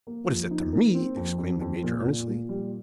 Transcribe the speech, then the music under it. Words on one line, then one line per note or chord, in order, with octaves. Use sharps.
"What is that to me!" exclaimed the Major, earnestly.
A#3
F3
D#4
A#3
C4
F2
F2
F2
A#2
A#2
A#2
G3